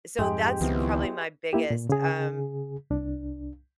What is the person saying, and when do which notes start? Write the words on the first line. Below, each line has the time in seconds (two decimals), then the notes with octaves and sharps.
so, that's probably my biggest, um
0.19 F2 G#2 G#3 G4
0.61 C#2 D#3 F3 B3 C4 E4
1.53 A#3 E4 G4
1.70 A#2
1.89 C#3 G#4
2.90 C2 D4